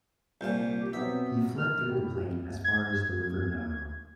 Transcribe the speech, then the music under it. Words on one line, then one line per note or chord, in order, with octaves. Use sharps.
He fled through the plain as far as the river Naro.
C2 A#2 C4 A5 G6
G4
B2 F#3 B3 C4 E5
A#4 F6
E4 G4
G#6